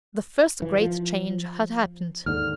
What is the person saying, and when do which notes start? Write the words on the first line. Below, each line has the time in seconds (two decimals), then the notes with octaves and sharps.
The first great change had happened.
0.62 E3
0.78 F3
2.26 D#2 G#2 D3 F6